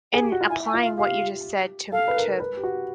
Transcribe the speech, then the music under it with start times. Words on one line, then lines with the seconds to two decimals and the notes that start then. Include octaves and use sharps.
In applying what you just said to m to,
0.14 G#4
0.23 G4
0.32 F#4
0.41 F4
0.50 E4 G#5
0.66 G#5
0.74 F4
0.82 F5
0.98 G4 F5
1.92 A4 F5
2.08 B4
2.16 A#4
2.40 B4
2.57 G4
2.64 F#4